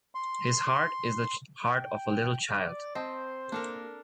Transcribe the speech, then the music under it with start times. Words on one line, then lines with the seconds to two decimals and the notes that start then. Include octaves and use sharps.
His heart is the heart of a little child.
0.15 C6
1.70 G5
2.53 D5
2.95 C4 C5 D#5 A5
3.52 A#3 D4 A4 A#4